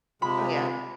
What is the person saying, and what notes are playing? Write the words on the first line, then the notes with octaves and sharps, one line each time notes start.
Oh, yeah?
C3 G#3 F4 B5